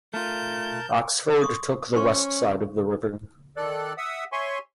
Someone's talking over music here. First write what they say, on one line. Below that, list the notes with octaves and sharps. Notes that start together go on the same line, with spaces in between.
Oxford took the west side of the river.
A3 F4 A#4 A5 G6
C6 C#6 D#6
C#4 C5 C6 C#6
D#3 A4 D5 F#6
E5 F#5 D#6 E6
C#5 E5 G#5 C6 C#6